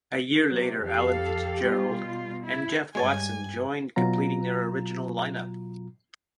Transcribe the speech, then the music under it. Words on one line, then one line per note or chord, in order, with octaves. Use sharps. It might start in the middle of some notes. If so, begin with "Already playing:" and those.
A year later Alan Fitzgerald and Jeff Watson joined completing their original lineup.
C3 F#3
F2 G4 A4 F5
B2 G3 F4
E4
G2 G#3 C#5 G#5 A5
B2 F#3 F4 A#5